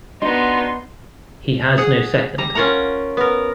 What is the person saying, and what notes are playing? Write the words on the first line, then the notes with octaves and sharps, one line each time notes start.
He has no second.
B3 D4 D#4 F#4 D#5 C6
G#4 F#5
G3 A#5
C#4 F4 A#4 F#5 A#5
B3 A#4